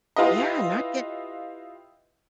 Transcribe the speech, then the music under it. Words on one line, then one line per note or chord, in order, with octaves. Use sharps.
Yeah, not get
E4 F4 G4 B4 D#5